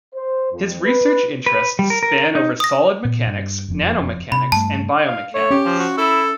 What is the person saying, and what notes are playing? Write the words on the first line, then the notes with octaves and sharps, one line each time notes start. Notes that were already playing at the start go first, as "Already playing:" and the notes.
His research interests span over Solid Mechanics, Nanomechanics and Biomechanics.
C5
F2
B4
B4
G3
A#4
A#4
D#4
D#6 A#6
A#2 B3
G2
F#1 F2
C3 B5
G2 A3 A5
F5
A3 C#5
C#4 G4
F3
F#4
E4 A4